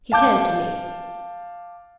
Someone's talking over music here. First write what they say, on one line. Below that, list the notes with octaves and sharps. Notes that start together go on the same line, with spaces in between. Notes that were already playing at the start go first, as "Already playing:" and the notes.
He turned to me.
F5 A5 D6 G6